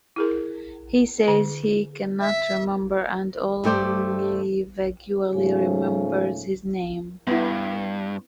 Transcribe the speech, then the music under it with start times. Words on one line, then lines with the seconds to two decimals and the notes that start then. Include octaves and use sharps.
He says he cannot remember and only vaguely remembers his name.
0.16 E4 G#4 A#4
1.28 D3
2.20 E5
3.64 G2 A3 G4 C5 D5
5.33 G#2 C#3 F3 A3 C#4
7.27 G2 B3 E4